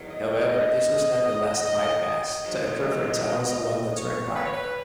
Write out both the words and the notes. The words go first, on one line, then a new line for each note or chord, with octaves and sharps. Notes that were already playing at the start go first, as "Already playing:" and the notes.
However, this was not the last bypass to occur for tunnels along the turnpike.
Already playing: E2 D#3 F#3
D#5
D#5
D#5
D#5
G#2 D#3 F#3
C#5
B4
C#5
B4